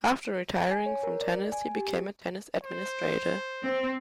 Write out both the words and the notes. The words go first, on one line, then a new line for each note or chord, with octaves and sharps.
After retiring from tennis, he became a tennis administrator.
G#5
C#5
A#4
D5
G#5
G4
C5
C4